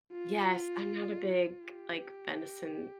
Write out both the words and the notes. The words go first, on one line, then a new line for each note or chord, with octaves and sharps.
Yes, I'm not a big, like, venison,
F4
G4